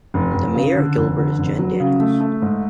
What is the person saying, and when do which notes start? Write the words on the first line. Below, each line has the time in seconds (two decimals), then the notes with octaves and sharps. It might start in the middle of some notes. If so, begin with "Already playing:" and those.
The mayor of Gilbert is Jenn Daniels.
0.14 F1
0.34 F1
0.55 C#3
0.76 D3
0.97 F1
1.18 D3
1.38 F1
1.59 F#3
1.80 C#3
2.00 A3
2.20 A3
2.42 G#2